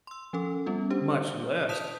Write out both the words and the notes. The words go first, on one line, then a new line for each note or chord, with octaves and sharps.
much less,
C6 E6
F3 C#4 A4
G3 B3 C#4 F4
D4 G4 C5
A5 D#6 G6 B6 E7 F7